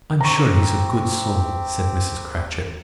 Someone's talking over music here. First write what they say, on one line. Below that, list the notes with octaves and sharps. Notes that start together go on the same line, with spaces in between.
"I'm sure he's a good soul!" said Mrs. Cratchit.
C4 G4 A#5 C#6